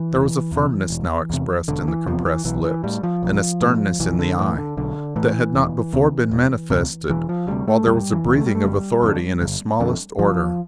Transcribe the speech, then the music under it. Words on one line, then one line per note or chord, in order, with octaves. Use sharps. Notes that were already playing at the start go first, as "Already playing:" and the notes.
There was a firmness now expressed in the compressed lips, and a sternness in the eye, that had not before been manifested, while there was a breathing of authority in his smallest order.
Already playing: E3
E1
E2 C3
E1
E2 C3
E1 D3
E3
E2 C3 F3
E3
B1 E3
E3
A2 G3
F3
B1
A2
B1 E3
D3
A2 E3
D3
B1 D3
A2 E3
E1
D2 C3
E1
D2 C3
E1 E3
F3
D2 C3 G3
A3
E1 G3
E3
D2 C3
A3
G3
A3
G1 G3
F2 D3
G1
F2 D3
G1 F3